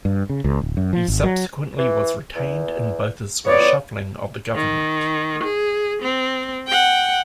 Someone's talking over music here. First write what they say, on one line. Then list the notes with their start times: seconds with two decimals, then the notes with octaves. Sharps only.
He subsequently was retained in Botha's reshuffling of the government.
0.05 G2
0.29 C#3
0.44 C#2
0.61 D1
0.77 F#2
0.93 F3
1.08 G#1
1.24 F#3
1.78 E3
2.35 E2
3.46 B3 C#5 D5
4.55 D#3
5.43 G#4
6.02 C4
6.67 F#5 G5